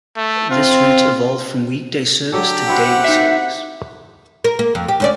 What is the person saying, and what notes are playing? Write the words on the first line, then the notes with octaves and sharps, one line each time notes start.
This route evolved from weekday service to daily service.
A3
C4 F4
D3 F#3 G4 A4
C4 E4 F#4 F#5
D#4 E5
A#4
A#3
F2
G4
D2 C#4 D5